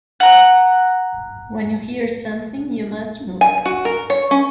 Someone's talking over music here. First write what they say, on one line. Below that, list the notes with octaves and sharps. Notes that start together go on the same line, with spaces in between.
When you hear something, you must move.
F#5 A#5
G#5
F#4
A#4
C#5
C#4